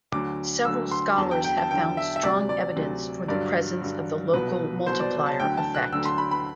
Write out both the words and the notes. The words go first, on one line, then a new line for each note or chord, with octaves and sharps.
Several scholars have found strong evidence for the presence of the local multiplier effect.
D2 D3 F#3 D6
D2 D3 F#3 E6
C6
E2 D3 F#3 A5
G5
G5
A5
E2 D3 F#3 G5
E5
E5
D2 C3 F#3 D5
D5
D2 C3 F#3
G2 D3 F#3 D5
G2 D3 F#3
C2 B2 F#3 B4
C2 B2 F#3 C5
D5
A5
D2 D3 F#3 G5
A5
F#6
D2 D3 F#3 E6
C6
B5
B5